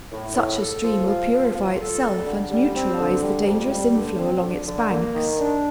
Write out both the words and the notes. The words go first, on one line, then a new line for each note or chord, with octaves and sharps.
Such a stream will purify itself and neutralize the dangerous inflow along its banks.
A2
A2
A4
F3
F4
F3
F4
A4
G3
D3
G3
C4
D3
G3
F2
G3
D3
C4
D3
D3
A#3
D#3
D4